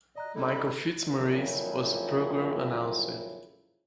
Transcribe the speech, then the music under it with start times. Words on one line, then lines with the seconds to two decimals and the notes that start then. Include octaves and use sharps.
Michael Fitzmaurice was the program's announcer.
0.16 D5 D#5 A#5 F#6
0.35 G3 D#4 E4 A4
1.08 G#1 F2 A#2 C#3 F#3 E4